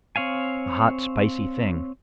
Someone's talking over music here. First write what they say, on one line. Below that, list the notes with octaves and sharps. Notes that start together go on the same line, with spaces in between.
A hot, spicy thing.
C4 C#5 F5 G#5